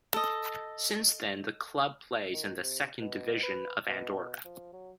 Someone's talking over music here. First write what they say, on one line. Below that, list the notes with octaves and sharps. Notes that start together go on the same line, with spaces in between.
Since then the club plays in the second division of Andorra.
A4 D#5
D#3
C3
B2
B4
B2
F3
F#3